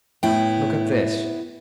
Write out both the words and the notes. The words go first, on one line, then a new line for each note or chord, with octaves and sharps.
"Look at this!"
A2 B3 E4 G5